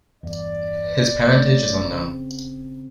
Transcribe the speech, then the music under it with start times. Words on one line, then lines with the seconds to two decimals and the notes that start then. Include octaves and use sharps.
His parentage is unknown.
0.23 E2 G2 D5
1.24 B2 A3 C#5
1.92 C#3 C4